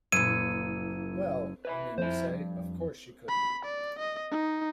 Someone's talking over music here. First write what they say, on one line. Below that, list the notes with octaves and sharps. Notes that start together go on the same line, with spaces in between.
Well, I mean to say, of course she couldn't.
F#1 A#2 E4 E6 G#6 C#7 D#7
B4 E5 B5
F2 E4 C5
G2
B5
D5
D#5
D#4